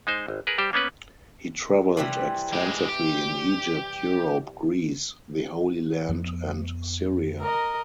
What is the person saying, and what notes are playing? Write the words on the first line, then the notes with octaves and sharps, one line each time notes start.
He traveled extensively in Egypt, Europe, Greece, the Holy Land, and Syria.
G#3 D#4 C5
G#1
G#4 A#4 B4
G3 G4 C5
A#3 B3 C#4 B4
C3 E3 G3
G#3 G4
G4
F2 F3 B3
A#4 D#5